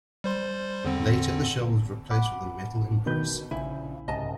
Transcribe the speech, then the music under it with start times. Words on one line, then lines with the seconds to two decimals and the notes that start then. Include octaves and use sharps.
Later the shell was replaced with a metal impress.
0.24 G3 C5 C6
0.85 E2 D3 C4
2.11 F#5 B5 D6
3.06 D2 B2 D#3 B4 G6
3.51 A#1 C#3 E4
4.08 C2 G#2 C#3 D#5 A5